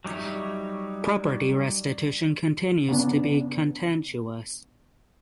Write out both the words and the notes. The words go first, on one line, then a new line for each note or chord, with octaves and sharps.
Property restitution continues to be contentious.
F#3 G3 D#4 C#5 E5
C#3 B3 D4